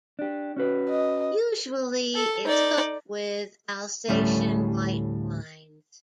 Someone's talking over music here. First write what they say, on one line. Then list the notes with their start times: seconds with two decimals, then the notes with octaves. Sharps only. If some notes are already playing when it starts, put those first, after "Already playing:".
Usually it is cooked with Alsatian white wines.
0.19 D4 G4
0.56 C#4 F#4 B4
0.90 D#5
2.15 A4
2.45 D#4 D5
4.08 D2 A2 G3 A3 C#4